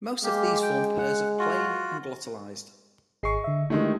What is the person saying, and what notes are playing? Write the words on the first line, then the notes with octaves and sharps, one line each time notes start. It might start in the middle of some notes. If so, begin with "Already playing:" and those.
Most of these form pairs of plain and glottalized.
G#3 A#3 G4
G5
F#5
F4 F#4
G#1 G#4 D#5 C#6 C7
D3 E5
D#3 G#3 A3 D4 E4 G4